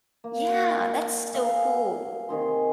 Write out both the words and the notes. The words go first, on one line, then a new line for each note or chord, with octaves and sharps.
Yeah, that's so cool.
A#3
G#4 E5 F5
C3 D#3 G#4 C6